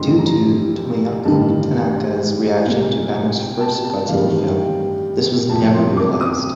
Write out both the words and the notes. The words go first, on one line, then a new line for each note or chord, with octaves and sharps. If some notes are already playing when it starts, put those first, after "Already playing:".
Due to Tomoyuki Tanaka's reaction to Banno's first "Godzilla" film, this was never realized.
Already playing: A1 G2 D3 F3 C6
A#5
A1 G2 D#3 A5
C2 A#2 G3 A#3
G5
A5
A5
A1 G2 D#3 G3 F5
G5
F2 C3 F3 A#3 A5
C6
D6
D#6